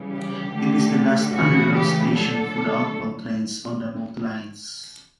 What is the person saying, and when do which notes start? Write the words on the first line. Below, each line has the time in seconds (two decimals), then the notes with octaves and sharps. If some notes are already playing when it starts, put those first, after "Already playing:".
It is the last underground station for outbound trains on both lines.
Already playing: C#3 E3 G3
0.09 G4
0.50 D3 A3
1.33 C#3 E3 A3 F#4
1.74 G4
2.15 D3 F#3 A3 A4